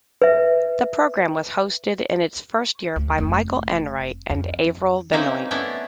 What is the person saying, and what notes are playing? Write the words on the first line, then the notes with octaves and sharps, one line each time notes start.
The program was hosted in its first year by Michael Enright and Avril Benoit.
B4 E5
D2
F1
F2
E3 A#3 C4 C#4 D#4
A3 B3 C#4 D4 E4